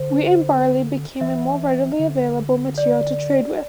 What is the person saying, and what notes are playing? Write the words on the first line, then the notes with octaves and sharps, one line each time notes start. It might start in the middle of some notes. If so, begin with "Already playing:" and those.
Wheat and barley became a more readily available material to trade with.
Already playing: D3 C5
E3 E5
D3
D5